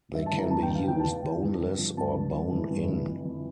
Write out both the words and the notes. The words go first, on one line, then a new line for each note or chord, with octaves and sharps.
They can be used boneless or bone-in.
G2 E5
A5
E3
A#5
G2 A5
G5
E3
F5
E2 G5
A5
E3
E2
E3
G2
F3
G2 A5
F3
G2
E3
G2
E3
F2
E3